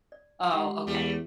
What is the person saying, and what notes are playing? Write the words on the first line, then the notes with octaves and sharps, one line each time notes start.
Oh, okay.
D5
G#3 F4 G4 F#5 D#6
E2 G3 A3